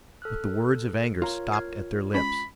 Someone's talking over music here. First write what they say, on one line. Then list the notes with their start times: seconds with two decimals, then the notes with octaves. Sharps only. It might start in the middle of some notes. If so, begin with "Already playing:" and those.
But the words of anger stopped at their lips.
0.22 A4 F6 F#6
1.22 F4 A#4 C#5 A#5
1.52 F6 G#6 C7
2.14 G#3 C#4 B5